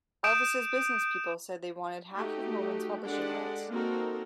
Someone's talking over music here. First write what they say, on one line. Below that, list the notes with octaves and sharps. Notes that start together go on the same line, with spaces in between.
Elvis's business people said they wanted half of Moman's publishing rights.
D#6 G6 D7 E7
A3 D#4 F#4 G4
G#3 D4 G4 A4 D5 F#5
A#3 C4 D#4 F#4 A4 A#4